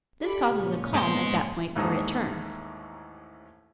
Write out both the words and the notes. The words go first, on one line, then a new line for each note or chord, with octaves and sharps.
This causes a calm at that point where it turns.
G4 A4 D5 B5
C#2 A#2 C#4
G#2 B3 C6
A1 D#2 G#2 A4 D#6